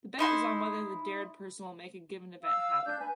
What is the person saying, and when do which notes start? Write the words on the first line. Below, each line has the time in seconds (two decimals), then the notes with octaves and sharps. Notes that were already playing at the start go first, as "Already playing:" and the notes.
The bet is on whether the "dared" person will make a given event happen.
0.19 D#4 E4 C6
2.43 F5 E6
2.85 D4 G6
2.99 B4 G#5